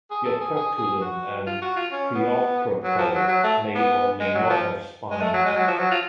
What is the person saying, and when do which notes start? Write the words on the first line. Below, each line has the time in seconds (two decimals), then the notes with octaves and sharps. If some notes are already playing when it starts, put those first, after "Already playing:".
The operculum and preopercle may or may not have spines.
0.11 G#4
0.25 A4
0.40 G#4
0.56 G#4
0.78 G#4
1.02 F#4
1.47 F4
1.62 F#4
1.76 F4
1.92 C#4
2.15 B3
2.84 F#3
2.98 F3
3.14 F#3
3.28 F#3
3.43 A3
3.75 B3
4.20 G#3
4.35 F#3
4.50 F3
5.11 G#3
5.22 A3
5.34 F#3
5.46 G#3
5.56 F#3
5.68 F3
5.79 F#3
5.91 F4